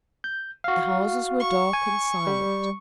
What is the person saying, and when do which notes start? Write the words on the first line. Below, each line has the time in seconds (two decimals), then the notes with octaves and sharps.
The houses were dark and silent.
0.24 G6
0.64 F#4 F5
1.39 C#6
1.73 G#5
2.27 G3